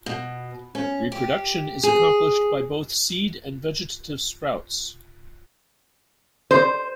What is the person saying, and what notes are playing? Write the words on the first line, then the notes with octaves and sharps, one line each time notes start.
Reproduction is accomplished by both seed and vegetative sprouts.
B2
C#4
G4
G#4
C5